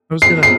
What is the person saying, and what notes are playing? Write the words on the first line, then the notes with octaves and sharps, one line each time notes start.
I was gonna
C7
C7